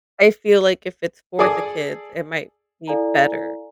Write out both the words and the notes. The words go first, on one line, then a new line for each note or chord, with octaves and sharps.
I feel like if it's for the kids, it might be better.
G#4 A4 D5 G#5 D#6
E4 A4 D5 F5 G#5 A#5